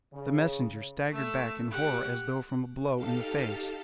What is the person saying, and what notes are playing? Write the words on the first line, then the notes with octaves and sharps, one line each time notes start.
The messenger staggered back in horror as though from a blow in the face.
C#3
A3 E5
G4 F#5
D#4 G4 A4 F5 A5 F6